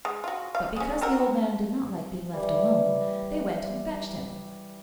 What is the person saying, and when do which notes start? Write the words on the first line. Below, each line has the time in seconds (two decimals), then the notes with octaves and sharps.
But because the old man did not like being left alone, they went and fetched him.
0.05 G#3
0.24 F4 F#4
0.55 F5
0.76 G#3 C#4
1.01 C4 F#4 A#4
2.33 E3 G3